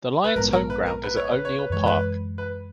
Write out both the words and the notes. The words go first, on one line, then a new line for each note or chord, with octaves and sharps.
The Lions' home-ground is at O'Neill Park.
B4
A#1 G#2 E3 B3 A#4
A#4
B4
A#4
B4
C#5
B4
C#5
B4
F#2 E3 G#3 C#5
B4
B4